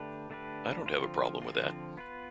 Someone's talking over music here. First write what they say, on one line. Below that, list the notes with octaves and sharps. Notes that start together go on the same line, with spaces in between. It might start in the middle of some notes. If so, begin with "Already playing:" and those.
I don't have a problem with that.
Already playing: D3 A3 D4 G4 B4
D3 A3 D4 G4 B4
D3 F3 C4 F4
D3 F3 C4 F4
B3 F4 B4